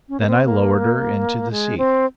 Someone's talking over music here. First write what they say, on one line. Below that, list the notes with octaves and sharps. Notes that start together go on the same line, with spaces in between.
Then I lowered her into the sea.
C#4
A#3
C4
A#3
G#3
C4